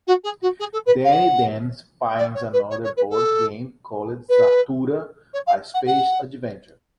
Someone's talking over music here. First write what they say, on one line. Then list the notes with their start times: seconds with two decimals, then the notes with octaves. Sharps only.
Danny then finds another board game called "Zathura: A Space Adventure".
0.07 F#4
0.24 G#4
0.42 F#4
0.60 G#4
0.73 A4
0.86 B4
1.04 F5
1.12 F#5
2.18 D5
2.35 C#5
2.53 B4
2.70 C#5
2.84 C#5
2.97 B4
3.10 A4
4.29 B4
5.33 C#5
5.47 F5
5.74 F#5
5.87 F#5